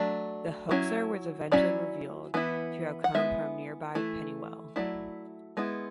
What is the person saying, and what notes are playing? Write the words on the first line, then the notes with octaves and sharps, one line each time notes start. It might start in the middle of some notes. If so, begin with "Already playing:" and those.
The hoaxer was eventually revealed to have come from nearby Pennywell.
Already playing: F#3 A3 D4
F#3 C#4 E4
F#3 C#4 E4 D5
E3 B3 E4
F#5
G#3 B3 E4 E5
E3 A3 E4
F#3 A3 E4 D5
G#3 B3 E4